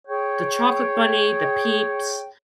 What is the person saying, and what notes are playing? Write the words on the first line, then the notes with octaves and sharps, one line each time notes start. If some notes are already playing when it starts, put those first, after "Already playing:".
the chocolate bunny, the peeps,
G#4 C#5 G5